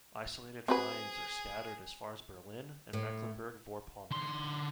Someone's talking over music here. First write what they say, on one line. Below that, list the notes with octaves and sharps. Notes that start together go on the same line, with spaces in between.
Isolated finds are scattered as far as Berlin and Mecklenburg-Vorpommern.
C4 F#4 G#4 B4
A2
D3 C6